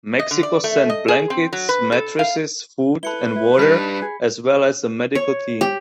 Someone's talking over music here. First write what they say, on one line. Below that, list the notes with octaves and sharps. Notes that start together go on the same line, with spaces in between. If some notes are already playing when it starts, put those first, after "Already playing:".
Mexico sent blankets, mattresses, food, and water, as well as a medical team.
D#5
D3
D5
A3
D#5
G#4
C4
F#3
B4
A4
F5
E4 A4 B4 B5 C#7 G7
E4
G3 D4 D#4 B5 B6 C#7
G#4
C#5
G4